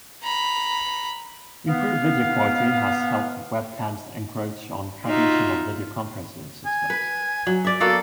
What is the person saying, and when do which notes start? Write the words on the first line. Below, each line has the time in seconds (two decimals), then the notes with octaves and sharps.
Improved video quality has helped webcams encroach on traditional video conferencing systems.
0.23 A#5 B5
1.68 B3 F5
5.04 D#4 F4 F#4 E5
6.66 G#5
6.90 B4
7.47 F#3
7.65 D5 E5
7.80 A#3 B3 F#4 A4